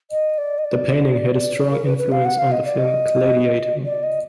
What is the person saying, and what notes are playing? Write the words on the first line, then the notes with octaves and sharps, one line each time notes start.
The painting had a strong influence on the film "Gladiator".
D#5
D5
D#5
D5
A#4
B4
B4
F5
F#5
F5
D#5
D5
D#5
D5
D#5